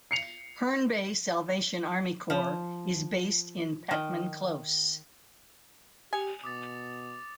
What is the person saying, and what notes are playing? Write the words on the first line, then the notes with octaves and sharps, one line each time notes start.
Herne Bay Salvation Army Corps is based in Pettman Close.
C7 C#7 F7
F3
D#3
G4 G#5 D#6 C#7 F7
B2 D6 D#6 A6